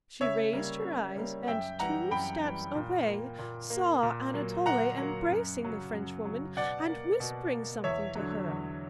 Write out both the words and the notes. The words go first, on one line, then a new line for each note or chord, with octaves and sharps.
She raised her eyes, and two steps away saw Anatole embracing the Frenchwoman and whispering something to her.
C#3 C#5 E5
G3 A#3
C#3
G3 A#3
F#2 E5 G5
E3 G3 F#5 A#5
F#2 G5 B5
E3 G3
A#2
A#3
A#2
A#3
A#2
F#3 A#3
A#2 F#5 A#5
F#3 A#3
F#2
C#3 F#3
F#2
C#3 F#3
B2 D5 F#5
A#3
B2
A#3
E2 C#5 E5
D3 F#3
E2